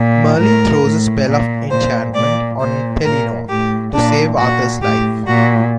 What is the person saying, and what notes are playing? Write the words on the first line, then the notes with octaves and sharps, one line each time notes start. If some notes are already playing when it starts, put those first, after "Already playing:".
Merlin throws a spell of enchantment on Pellinore to save Arthur's life.
Already playing: A#2
A2 A#4
A2
A#2
A#2 C5
A#2 D5
A#2 C5
A#2 A#4
A2 G4
A#2 D4
A#2 F#4
A2 G4
A#2 F#4